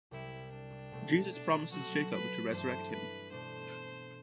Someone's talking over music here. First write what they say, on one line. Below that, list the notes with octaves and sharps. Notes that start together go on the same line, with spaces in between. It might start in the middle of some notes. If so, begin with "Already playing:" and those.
Jesus promises Jacob to resurrect him.
C2 C3 G3 E4
D4
B2 A3 C4
D4
F#3 A3 C4 F#4
B4
G2 E3 A3 D4 A4 C5
B4
B2 A3 D4 C5